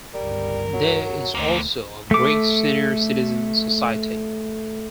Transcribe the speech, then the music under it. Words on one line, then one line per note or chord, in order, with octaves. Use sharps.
There is also a Greek Senior Citizen Society.
G1 C#2 G2 G3 A#4
F#3
D2 A3 A#3 C4
A3 D6